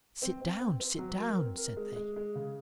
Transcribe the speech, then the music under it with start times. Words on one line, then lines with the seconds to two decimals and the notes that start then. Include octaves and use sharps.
"Sit down! sit down!" said they.
0.22 C4
0.41 C4
0.60 C4
0.80 C4
0.99 F#3
1.19 A#4
1.38 C4
1.57 A#4
1.77 G#3
1.96 G#3
2.16 G#3
2.35 C#3